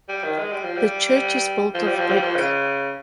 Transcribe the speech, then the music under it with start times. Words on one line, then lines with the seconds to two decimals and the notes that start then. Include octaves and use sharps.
The church is built of brick.
0.08 G3
0.24 D#3
0.39 G#3
0.52 G3
0.64 F3
0.77 G3
1.74 F3
1.87 G3
1.99 F3
2.11 G3
2.22 F3
2.35 C#3